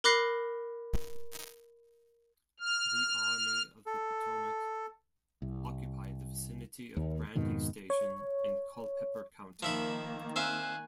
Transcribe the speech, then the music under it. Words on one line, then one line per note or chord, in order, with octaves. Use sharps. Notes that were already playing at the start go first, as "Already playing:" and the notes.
The Army of the Potomac occupied the vicinity of Brandy Station and Culpeper County.
A#4 B5 D6 F#6 A#6 C7
F6
A4
C2
D#2
F2 G#2 B2 D#3
C#5
D#3 F3 A#3 E5 B5
C4 E5 F5 G#5 F#6